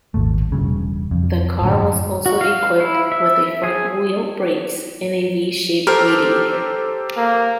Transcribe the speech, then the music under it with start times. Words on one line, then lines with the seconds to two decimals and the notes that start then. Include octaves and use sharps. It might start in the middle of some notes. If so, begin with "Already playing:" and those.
The car was also equipped with front-wheel brakes and a V-shaped radiator.
0.14 D#1 G#1 A3
0.52 E1 A#1 G2 C#3
1.11 F2
1.62 F#2 A2 D3
2.26 F#4
2.41 F5
2.80 E4
3.12 E5
3.64 G#4
5.87 G4 A4 A#4 C5
7.17 A#3